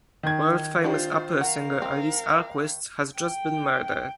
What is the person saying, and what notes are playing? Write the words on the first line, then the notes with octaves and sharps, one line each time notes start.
World-famous opera singer Alice Alquist has just been murdered.
D#3 G#6
D4 E4 F4 G4 C5
A#4 F5 F#5
C4
G5